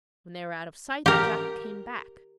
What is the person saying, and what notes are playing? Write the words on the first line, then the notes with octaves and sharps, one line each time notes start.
When they were out of sight the jackal came back.
G4 A#4